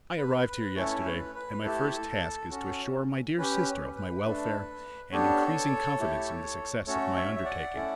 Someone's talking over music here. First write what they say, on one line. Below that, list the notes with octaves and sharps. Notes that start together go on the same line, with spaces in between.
I arrived here yesterday, and my first task is to assure my dear sister of my welfare and increasing confidence in the success of my undertaking.
B4
B4
A3 C#4 E4 A4 C#5
B4
B4
A3 E4 G4 A4
C#4 F#4 A4
C#4 G4 B4
B4
A3 D4 A4
B3 D4 G4 A4 C#5
A3 E4 G4
A3 C#4 F#4 A4 C#5
C#5 E5
E5
D5 F#5
A3 C#4 E4 A4